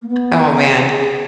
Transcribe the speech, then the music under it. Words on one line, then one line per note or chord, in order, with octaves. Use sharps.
Oh, man,
A#3
B3
G#4